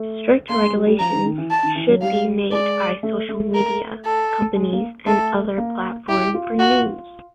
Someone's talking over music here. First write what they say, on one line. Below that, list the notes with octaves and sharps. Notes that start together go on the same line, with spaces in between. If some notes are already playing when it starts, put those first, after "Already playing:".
Strict regulations should be made by social media companies and other platforms for news.
Already playing: A3
A#3 C6
G#3
G3
G3
F3 A#5
D#3
D#3
E3
A5
D#3
E3
F#3
G3 F5
G#3 D5
A3
A3
A#4
A4
G#3
A#3
A3 A4
A#3
E4 G4
F4
F#4